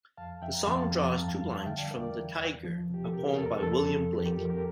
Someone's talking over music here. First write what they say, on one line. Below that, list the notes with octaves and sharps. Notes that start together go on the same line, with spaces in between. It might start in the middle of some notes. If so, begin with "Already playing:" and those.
The song draws two lines from The Tyger, a poem by William Blake.
F2 F5 A5
F2 E5 G5
A#5
F2 F5 A5
F5 A5
F2 G5 A#5
F5 A5
G2
F5 A5
G3
F5 A5
D3 E5 G5
D5 F5
E2 A#4 D5
E3
E2
F3
C3 G4
A4
C3 G4 A#4
A4
F2 A4
A#4
A4
F2 A4
A4
F2
F2 G4
G4 A#4
F2 A4
G4 A#4